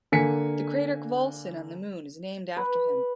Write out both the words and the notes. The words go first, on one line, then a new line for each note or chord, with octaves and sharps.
The crater Khvolson on the Moon is named after him.
D3 A#3 G#5 B6 C#7
B4